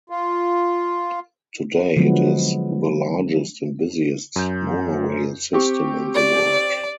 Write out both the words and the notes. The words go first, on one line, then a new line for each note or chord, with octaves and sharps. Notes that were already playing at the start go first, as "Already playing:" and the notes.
Today it is the largest and busiest monorail system in the world.
F4
D3 F3 F#3 G#3 B3
F#2 G6
C4 G4 C#6
D5